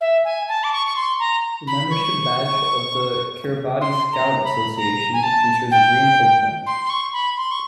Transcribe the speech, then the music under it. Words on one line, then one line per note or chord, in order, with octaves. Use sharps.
The membership badge of the Kiribati Scout Association features a green coconut.
E5
G#5
A5
D6
C#6
C#6
C6
A#5
B5
C#6
C6
A#5
B5
A#5
G#5
A5
G5
C6
C6
C#6
B5
C6
C#6